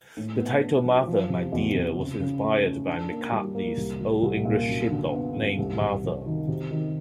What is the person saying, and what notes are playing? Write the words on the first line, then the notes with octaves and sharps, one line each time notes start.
The title "Martha My Dear" was inspired by McCartney's Old English Sheepdog, named Martha.
A2
B3
D4
F#3
F3
C3
E2
C3
C#3
C#3
A3
C#4
D4
A#3
G3
A#3
C2
G3
C2
A#2
F#2
D3
B3
F#2
C2
C2
C3
D#3
C3
D#3